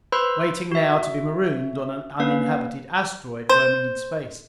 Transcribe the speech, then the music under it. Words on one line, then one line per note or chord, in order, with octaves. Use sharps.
Waiting now to be marooned on an uninhabited asteroid roaming in space.
B4 C5 B5 C6 E6
F#4 E5
A#3 C#4 B4 F5
C5